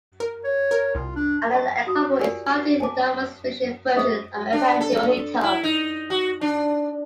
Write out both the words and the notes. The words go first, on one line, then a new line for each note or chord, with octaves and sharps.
Another example is found in the novel's fictional version of Emperor Hirohito.
A#4
C#5
A#4
C2 F4
D4
D#5 A5 C#6
F#4 D#6
F4 G4 A#4 D5 G#5
G#5 A5 D6
C#4 G#4 C5 D#5 E5 D#6
D4
A4
E4
D#4
F#4
D4